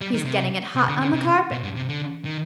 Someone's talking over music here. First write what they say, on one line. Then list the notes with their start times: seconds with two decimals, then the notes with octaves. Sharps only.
'He's getting it hot on the carpet.'
0.01 G3
0.14 D#3
0.25 C3
0.76 C3
0.88 D3
1.01 D3
1.13 C3
1.51 B2
1.63 G2
1.76 C3
1.89 D3
2.25 D#3